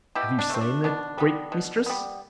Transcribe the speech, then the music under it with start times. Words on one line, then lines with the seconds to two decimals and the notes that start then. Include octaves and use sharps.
"Have you seen the Greek mistress?"
0.15 B2 E4 G4
0.39 D4
0.50 A3 C4
0.61 D4
0.84 B2 D4
1.18 G3 B3
1.52 B2
1.86 G3 B3